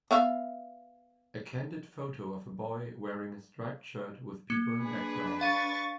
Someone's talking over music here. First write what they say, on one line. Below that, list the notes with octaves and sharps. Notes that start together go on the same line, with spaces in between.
A candid photo of a boy wearing a striped shirt with people in background.
B3 E5 F5
A#3 C#7
D4 G#4 B4
F5 C#6 A6 D#7